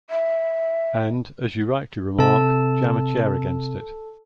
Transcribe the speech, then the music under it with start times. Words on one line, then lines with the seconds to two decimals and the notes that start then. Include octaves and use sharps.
And, as you rightly remark, jam a chair against it.
0.10 E5
2.19 C3 A4 A5